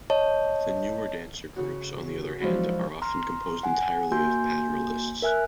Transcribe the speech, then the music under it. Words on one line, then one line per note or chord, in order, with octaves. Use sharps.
The newer dance groups, on the other hand, are often composed entirely of plattlerists.
C#5 D#5 A5
C#3 F#4
F3 F#3 G#3 D4 E4 F#4
A#5 C6 F6
F#5 G#5
A#3 F#4 G#5 C6 G6
A#4 E5 G#5 F6 F#6